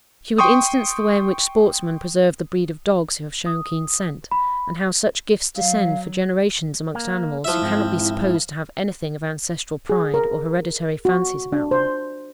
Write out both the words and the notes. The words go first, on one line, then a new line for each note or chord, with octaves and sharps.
She would instance the way in which sportsmen preserve the breed of dogs who have shown keen scent; and how such gifts descend for generations amongst animals, who cannot be supposed to have anything of ancestral pride, or hereditary fancies about them.
G5 C6 C#6 D#6
D#6
B5
F#3 F5
A#3
F3 E4 E5
G#2 C4
G#4
A#4
F#4
D4
C5